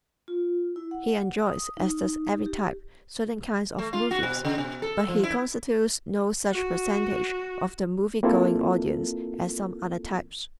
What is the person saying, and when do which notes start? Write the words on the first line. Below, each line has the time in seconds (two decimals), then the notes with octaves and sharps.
He enjoys, as does every type, certain kinds of movies, but he constitutes no such percentage of the movie-going audience as some other types.
0.28 F4
0.76 E4
0.91 F#5
1.47 D#6
1.77 D#4
2.46 G4
3.78 A3
3.93 F4
4.11 F#4
4.23 B2
4.45 C#3
4.58 B2
4.82 A4
5.08 F3
5.23 E4
6.51 F#4
8.23 A#3 C4 E4 F4 A4 A#4